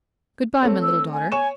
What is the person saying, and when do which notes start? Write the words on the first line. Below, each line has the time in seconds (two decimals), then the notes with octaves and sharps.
Good-bye, my little daughter.
0.63 A3 C4 C#5
0.82 E6
1.13 G#5
1.32 C#5 G#5 C#6 E7